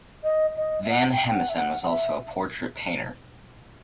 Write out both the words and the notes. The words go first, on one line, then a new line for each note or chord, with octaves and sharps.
Van Hemessen was also a portrait painter.
D#5
D#5
E5
F#5
G5
G5
F#5
E5
F#5
F#5
E5